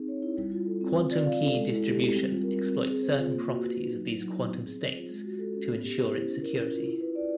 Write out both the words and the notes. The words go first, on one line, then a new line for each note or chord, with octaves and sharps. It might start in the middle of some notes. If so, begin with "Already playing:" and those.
Quantum key distribution exploits certain properties of these quantum states to ensure its security.
Already playing: C4 D#4 G#4
C#5
E4
G3
F4
A4
C4
F4
D5
F5
A4
G#3
E4
G4
C4
G3
F4
A#4
C4
C4
G#4
C5
F4
A#3
F#4
B4
D#4
F#3
E4
F#3
B3
C4
G#4
C5
F4
G#3
F#4
A4
C#4
B3
G4
C5
E4
C#4
A#4
C#4
F4
E4
B4
D5